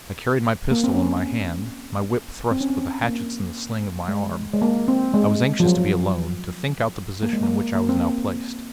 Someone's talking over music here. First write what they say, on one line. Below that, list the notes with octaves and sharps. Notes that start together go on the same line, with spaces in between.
I carried my pistol in my hand, my whip thrust with the hatchets in the sling of my arm. I was anxious to be alone, to think out the position in which I was now placed.
A#3
C4
C#4
C4
C#4
C4
A#3
G#3
G#3
A#3
C4
G#3
F3
F#3
A#3
G#3
A#3
A#3
C4
A#3